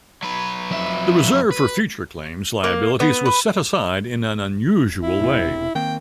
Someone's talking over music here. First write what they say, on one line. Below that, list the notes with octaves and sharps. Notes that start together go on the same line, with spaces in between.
The reserve for future claims liabilities was set aside in an unusual way.
F#3 B4
F2 E5
B4
A#3
B3
B4
E4
E1 E2 C3
D#3 A#3 C4 G5